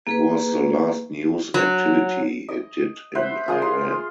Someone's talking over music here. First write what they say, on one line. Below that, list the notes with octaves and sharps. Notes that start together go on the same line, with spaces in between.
It was the last news activity he did in Iran.
A#3 G#4 B4
F#3
D#5
B4 C5 E5 F#5
F4 G#4 B4 D#6
C6